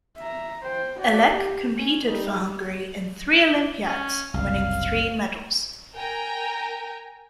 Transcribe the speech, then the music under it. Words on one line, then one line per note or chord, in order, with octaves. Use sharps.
Elek competed for Hungary in three Olympiads, winning three medals.
E5 A#5
C5 G5
F#4 D5
G4
C#4
G3 D#4
C#4
F#1 C2 F5
A#4 G5 G#5 A#5